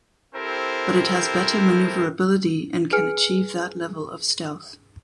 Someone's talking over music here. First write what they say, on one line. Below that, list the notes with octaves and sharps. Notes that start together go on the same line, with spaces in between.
But it has better maneuverability and can achieve that level of stealth.
C4 E4 G4 A4 A#4 C5
G#4 B4 G#5 F6 C#7 D7